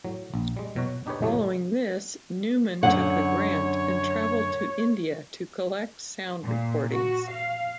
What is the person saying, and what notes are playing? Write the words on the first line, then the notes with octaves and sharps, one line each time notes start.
Following this, Newman took a grant and travelled to India to collect sound recordings.
A2 F#3
A#1
G3 G#3
B2 F#3 F#4
D4 D#4 G4 G#4 B4 C#5
A2 C3 F#3 A3
F#2 D3 C#5 F#5
A#2
F#4
F5